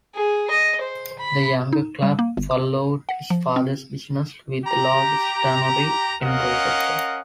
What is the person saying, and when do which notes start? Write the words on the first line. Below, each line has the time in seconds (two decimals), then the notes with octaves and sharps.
The younger Clapp followed his father's business with the largest tannery in Dorchester.
0.15 G#4
0.50 D#5
0.81 C5
1.19 B5
1.73 D#4
2.02 G3
2.19 A#3
2.37 G1
2.51 D6
3.09 F#5
3.30 F3
3.56 C4
4.65 G4 A#5
6.22 C#4 A#4 D#5 F5 F#5